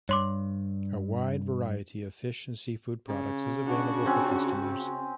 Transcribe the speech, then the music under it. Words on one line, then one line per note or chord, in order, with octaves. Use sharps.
A wide variety of fish and seafood products is available for customers.
G2 C#5 C6 D6
C#3
D4 F#4
C4 C#4